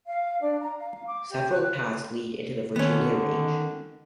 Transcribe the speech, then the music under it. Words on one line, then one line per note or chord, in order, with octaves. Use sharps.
Several paths lead into the Virginia Range.
F5
D4
A#5
F5
D6
G4
F#6
D3 D#3 B3 C#4